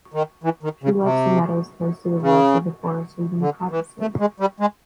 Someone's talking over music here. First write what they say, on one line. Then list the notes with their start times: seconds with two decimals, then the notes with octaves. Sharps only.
She loves the meadows close to the woods or the forest, or even the coppices.
0.14 D#3
0.44 E3
0.63 D#3
0.83 C#3
1.03 C3
2.22 C#3
3.41 D3
3.71 E3
4.01 A3
4.20 G#3
4.40 G3
4.60 G#3